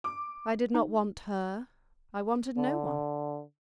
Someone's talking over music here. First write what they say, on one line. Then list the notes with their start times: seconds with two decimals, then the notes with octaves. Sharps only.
I did not want her; I wanted no one.
0.04 D6
0.75 D#4
2.58 D3